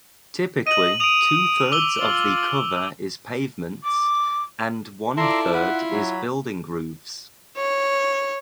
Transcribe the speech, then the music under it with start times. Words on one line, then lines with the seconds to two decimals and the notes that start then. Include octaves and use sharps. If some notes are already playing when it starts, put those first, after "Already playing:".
Typically two-thirds of the cover is pavements and one-third is building roofs.
0.67 D#5 D#7 F#7
1.00 D#6 D7 F7
1.72 D6 E6 G7
2.00 F4
3.83 D6
5.17 E4 F4 A4 D5 A#5 C6
5.54 F4 F#5 B5
5.92 F#3
7.57 C#5